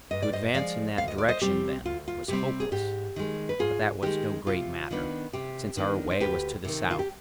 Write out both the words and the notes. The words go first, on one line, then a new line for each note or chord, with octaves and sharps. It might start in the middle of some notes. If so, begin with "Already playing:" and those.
To advance in that direction, then, was hopeless, but that was no great matter, since our way was to the south.
G2 D#5
D5
C5 D#5
F3 G#3 D5 F5
D2 F5
D#5
D5
C5 D#5
C3 G3 C4 G4
D2 F4
F4
C3 G3 C4 G4
G#4
G#2 G4
D#3 G#3
B4
G#2 F4 G#4
D#3 G#3 G4
C3 F4
D#3 B3 D4
C3 G4
D#3 B3 D4
C5
D2 G4 B4
C3 D#3
F4
G4